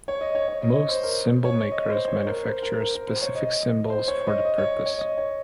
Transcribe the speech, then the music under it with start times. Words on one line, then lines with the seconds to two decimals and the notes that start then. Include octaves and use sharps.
Most cymbal makers manufacture specific cymbals for the purpose.
0.08 C#5
0.21 D#5
0.35 C#5
0.48 C#5
0.62 D#5
0.75 C#5
0.89 C5
1.03 A#4
1.45 C#5
1.71 D#5
1.90 C5
2.08 C#5
2.27 A#4
2.44 C5
2.62 A#4
2.80 A#4
2.94 A#4
3.08 C5
3.21 C#5
3.35 D#5
3.90 C5
4.08 C#5
4.27 D#5
4.45 D#5
4.58 C#5
4.86 C#5
4.99 D#5
5.18 C#5